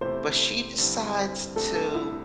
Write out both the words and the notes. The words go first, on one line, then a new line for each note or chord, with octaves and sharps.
But she decides to
E2 C3 A3 E4 G4 C5
G2 D3 G3 C4 E4
C2 C3 A3 D4 A4
A4
E4